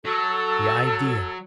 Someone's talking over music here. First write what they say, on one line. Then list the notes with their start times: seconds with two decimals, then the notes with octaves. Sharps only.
The idea!
0.05 F#3 A4